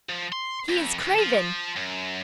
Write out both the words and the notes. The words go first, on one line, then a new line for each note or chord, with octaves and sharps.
He is craven!
F3
C6
F2
D2
F3
F#2